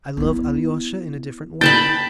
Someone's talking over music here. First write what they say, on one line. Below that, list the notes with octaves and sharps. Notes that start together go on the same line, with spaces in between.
I love Alyosha in a different way.
B3 E4
G5 A5 B5 A6